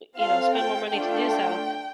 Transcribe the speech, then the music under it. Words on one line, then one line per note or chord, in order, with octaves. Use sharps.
you know, spend more money to do so,"
C4 F4 A4 F5
G5
A3 D4 F4 A4 G5